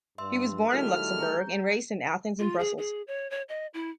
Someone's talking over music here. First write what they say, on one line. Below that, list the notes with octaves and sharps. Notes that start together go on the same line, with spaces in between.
He was born in Luxembourg and raised in Athens and Brussels.
G2 E5 C6 E6
D#3 G3 A3 E4 F#4 A#4 F6
G#4 A#5 G6
F4
G#4
G#4
C#5
C#5
D#5
E4